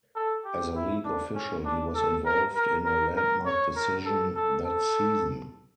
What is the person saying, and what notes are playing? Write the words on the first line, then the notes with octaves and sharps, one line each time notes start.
As a league official, he was involved in a landmark decision that season.
A4
G4
E4
D4
C#4
D4
A4
A#4
A#4
A#4
A#4
C#5
A#4
A4
A4
A4